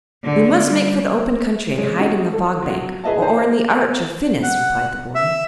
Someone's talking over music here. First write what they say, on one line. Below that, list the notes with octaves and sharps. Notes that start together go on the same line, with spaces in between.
"We must make for the open country and hide in the Fog Bank, or in the Arch of Phinis," replied the boy.
D3
G3
G#3 C#5
C#4 D#4 F#4 G#4
A4
F#3
G#4 B4 D#5 E5 A5
D#4 C5 A5
F#5
E5